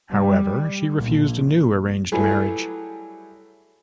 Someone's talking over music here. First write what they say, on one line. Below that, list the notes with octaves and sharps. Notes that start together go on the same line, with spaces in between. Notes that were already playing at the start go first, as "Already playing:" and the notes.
However she refused a new arranged marriage.
G3
A#1
F#3 G3 A3 E4 G#4 B4